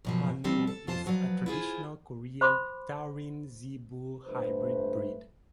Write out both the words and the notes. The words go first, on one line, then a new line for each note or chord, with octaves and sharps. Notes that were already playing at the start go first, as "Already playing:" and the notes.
Han-u is a traditional Korean taurine-zebu hybrid breed.
F#2 B2 F3
F3 G3 C4
A4
F2 F4 C5 A5
F3 F#3 B4 D5
E4 F4 G#4 C5
C5 B5 C6 D6
G1 G2 D3 A3 B4 C5